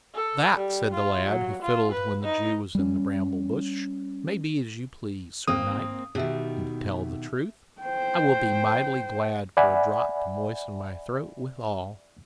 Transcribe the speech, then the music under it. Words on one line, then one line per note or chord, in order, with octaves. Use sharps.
"That," said the Lad who fiddled when the Jew was in the bramble-bush, "may be as you please, Sir Knight; and, to tell the truth, I will be mightily glad for a drop to moisten my throat withal."
A4
G3
F4
F#3
F4
B4
D#4
G3 C#4
G#1 A#3 C4 D#6
B2 D#3 G4 E5
C5 G5
D5 E5 F#5 G#5 B5